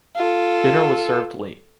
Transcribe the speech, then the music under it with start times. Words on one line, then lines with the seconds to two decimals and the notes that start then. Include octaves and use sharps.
Dinner was served late.
0.16 F4 A4